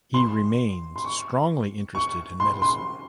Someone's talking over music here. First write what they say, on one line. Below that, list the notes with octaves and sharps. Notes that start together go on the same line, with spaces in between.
He remains strongly interested in medicine.
C6
C6
C#6
C#6
C6
C6